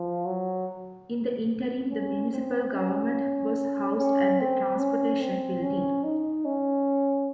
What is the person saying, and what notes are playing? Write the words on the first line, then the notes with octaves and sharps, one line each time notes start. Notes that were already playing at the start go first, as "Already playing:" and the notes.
In the interim the municipal government was housed at the Transportation Building.
Already playing: F3
F#3
C#4
C4
C#4
C#4
C4
C#4
C4
C#4
D#4
C#4